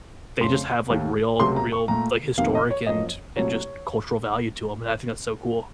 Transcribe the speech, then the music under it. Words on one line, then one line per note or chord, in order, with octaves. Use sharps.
they just have like real real, like historic and and just cultural value to 'em, and I think that's so cool.
F2 C#3 A3 C6
D#2 D#3 A3
C#2 C3 F#3 A3 C6
A#5
C#6
A#2 A3 A#5
F2 C3 D#3 A#3 F5
D#5
C#5
F#2 F3 A#3 D#5
C2 A#2 F#3 A3 C#5